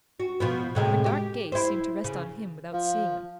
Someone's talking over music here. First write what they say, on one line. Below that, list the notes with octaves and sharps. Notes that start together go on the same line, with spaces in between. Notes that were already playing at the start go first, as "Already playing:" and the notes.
Her dark gaze seemed to rest on him without seeing him.
F#4
B2 F3 B3
A2 C3 G#3
G4
E4 C5
C#3
F3